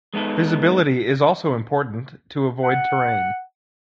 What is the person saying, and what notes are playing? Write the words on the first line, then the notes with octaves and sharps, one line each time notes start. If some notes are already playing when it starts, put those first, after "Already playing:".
Visibility is also important to avoid terrain.
G#3 B3 D#4 A4
F#5